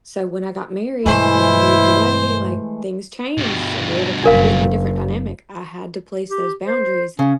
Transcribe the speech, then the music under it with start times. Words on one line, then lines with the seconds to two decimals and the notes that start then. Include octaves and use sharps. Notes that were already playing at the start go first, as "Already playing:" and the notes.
So, when I got married and I moved away, like, things changed and we have a completely different dynamic. I had to place those boundaries
1.06 G2 B2 E3 G#3 A3 E4 C5
3.38 G2 B2
4.24 F#1 D4 A#4 F5
6.30 G4
6.67 C5
7.19 C#3 C#4